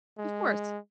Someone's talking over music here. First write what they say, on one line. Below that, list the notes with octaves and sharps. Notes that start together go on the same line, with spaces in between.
Of course.
G#3